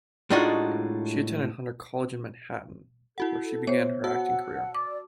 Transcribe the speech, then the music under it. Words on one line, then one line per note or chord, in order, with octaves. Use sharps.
She attended Hunter College in Manhattan, where she began her acting career.
A2 G#3 D4 D#4 F4 F#4
E4 F#4 A4 F#5
B3 C5 C#5
F#4 F#5 A5 E6
D5 D6